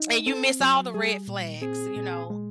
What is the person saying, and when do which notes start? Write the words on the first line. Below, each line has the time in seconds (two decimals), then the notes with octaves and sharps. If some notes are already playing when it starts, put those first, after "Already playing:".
and you miss all the red flags, you know?
Already playing: D#4
0.10 D#5
0.26 C4 A4
0.60 F#3
0.94 G3 G#4
1.28 A#2
1.61 C4 G#4
1.96 A#2
2.30 G#3